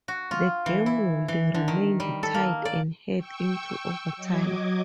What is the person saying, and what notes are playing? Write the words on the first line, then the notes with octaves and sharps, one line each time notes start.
The game would remained tied and head into overtime.
F#4
F4
E3
E4
E3
D3
D#3
G3
A4
A#3
D5
G5 C#6 E6
F#3 D#5 D6 G#6